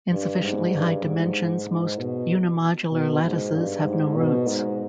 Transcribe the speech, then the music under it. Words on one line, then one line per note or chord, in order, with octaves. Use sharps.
In sufficiently high dimensions most unimodular lattices have no roots.
G2
G#2
G2
G#2
G#2
B2
B2
G#2
G2
G#2
B2
G#2